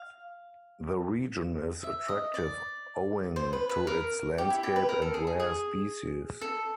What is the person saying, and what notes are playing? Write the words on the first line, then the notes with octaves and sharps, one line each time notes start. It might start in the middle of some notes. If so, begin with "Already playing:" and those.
The region is attractive owing to its landscape and rare species.
Already playing: F5
E5
D#5
D5
C5
B4
B4
A#4
G4
E4
G4
B4
A#4
A4
G#4
G#4
G#4
A4